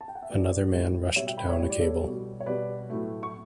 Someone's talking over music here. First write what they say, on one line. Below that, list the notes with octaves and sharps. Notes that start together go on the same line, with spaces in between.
Another man rushed down a cable.
A5
G5
F#5
E5
A2 F#3 A3 B4 D5
A2 G3
B2 G3 C#5 E5
E5 G5
G5 B5
C#5 E5
A2 G3 C#5
D5
A4 C#5
B2 G3
C#5
B2 G3 B4 D5
A2 F#3 A3
C#6